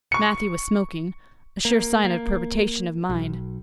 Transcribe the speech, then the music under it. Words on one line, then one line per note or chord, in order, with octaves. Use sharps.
Matthew was smoking--a sure sign of perturbation of mind.
C#6 C#7
A#3
A#3
B1